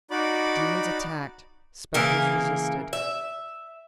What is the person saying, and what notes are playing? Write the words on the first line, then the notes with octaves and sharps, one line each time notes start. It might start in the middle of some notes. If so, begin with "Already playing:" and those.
Demons attacked, spectres resisted.
D#4 F#4 D5 B5 D6
C#3 E3 A#3 A#4
E5